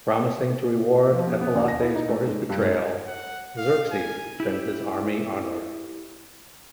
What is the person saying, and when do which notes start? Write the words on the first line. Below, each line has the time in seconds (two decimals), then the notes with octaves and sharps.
Promising to reward Ephialtes for his betrayal, Xerxes sends his army onward.
1.13 F3
1.27 B3
1.41 B3
1.55 D#2
1.68 A#6
1.82 E4
1.95 D#4
2.09 A3
2.27 G#2
2.49 G2
2.62 G#2
3.07 F#5
3.57 F5
3.92 G#5
4.40 E4 G4